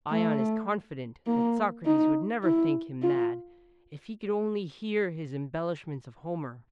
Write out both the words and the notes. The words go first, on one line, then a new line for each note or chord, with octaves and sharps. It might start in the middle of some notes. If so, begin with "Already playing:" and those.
Ion is confident that Socrates would never think him mad if he could only hear his embellishments of Homer.
A3
A#3
D#4
E4
F4